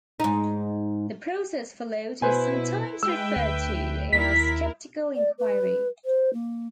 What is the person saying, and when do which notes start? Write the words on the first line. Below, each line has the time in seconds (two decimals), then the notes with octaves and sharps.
The process followed is sometimes referred to as skeptical inquiry.
0.20 G#2 D#4
2.22 B2 E4 B4 C5 G#5
3.03 G#3 B4 E5 G5 E6
3.36 D2
4.13 D#2 E4 A#4 B6
5.15 D5
5.38 B4
6.05 C5
6.33 A#3